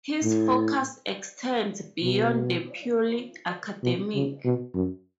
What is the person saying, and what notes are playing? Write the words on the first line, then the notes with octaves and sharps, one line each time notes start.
His focus extends beyond the purely academic.
A2
B2
B2
C#3
B2
F#2